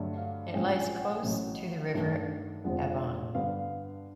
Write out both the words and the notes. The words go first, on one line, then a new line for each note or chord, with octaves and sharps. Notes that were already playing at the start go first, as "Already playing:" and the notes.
It lies close to the River Avon.
Already playing: G2 D3 F#3 A3 D4
F5
A#1 G#2 F3 G#3 C#4 G5
G5
G#5
F#5
G5
A1 A2 F#3
G2 D#3 F#3 A3 D4
F1 F2 D3 F3 G#3 F#5
G2 D3 G3 B3 F5